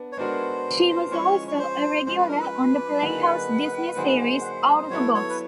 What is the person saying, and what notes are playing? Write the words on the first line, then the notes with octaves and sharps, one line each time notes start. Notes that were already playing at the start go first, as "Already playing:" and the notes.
She was also a regular on the Playhouse Disney series "Out of the Box".
Already playing: B3 D4
C#5
G#3 B3 D4 F#4 A#4 C5
F3 G#3 C#4 C#5
C#5
C5
F3 G#3 C#4 C5
B4
A#4
B4
D3 F#3 A#3 D#4 G#4
D3 F#3 A#3 D#4 G#4 C5
B4
C5
F#3 B3 E4 A4 C#5
C#5
B4